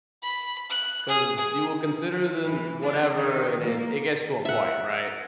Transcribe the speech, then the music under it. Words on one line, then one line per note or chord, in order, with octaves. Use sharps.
'cause you will consider then" whatever, and it it gets to a point, right?
B5
F#6
G#4
G#4
E3
D4
D#3
A#3
E5 F#5